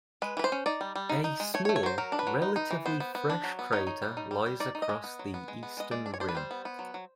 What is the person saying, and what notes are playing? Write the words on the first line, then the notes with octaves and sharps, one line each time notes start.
A small, relatively fresh crater lies across the eastern rim.
G#3 B4
E3 B4
C5
C#4
D#4 D5
G3
G3
D#4
D#4
G#3
A3 C#5
C#5
A3
C#5
F#3 C5
F#3 A#4
D4
B4
F#3
D#4
D#4
E3
B3 C5
B3
B3
D4
F#3
B3
D#4 C#5
D#4
G3
D#4
G3
G3
D#4 D5
D#4
D#5
G#3
B3
F#3
B3
G#3
B3
G#3 D#5
G#3 D5
D4
C#5
D4 C5
B4
G3 C5
B3
B3
F#3
F#3